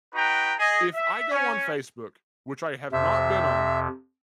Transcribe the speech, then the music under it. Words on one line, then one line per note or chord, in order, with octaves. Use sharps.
if I go on Facebook, which I have not been on
D#4 F#4 B4 G5 A#5
G#4 D#5
E5
C#4
F2 C3 E5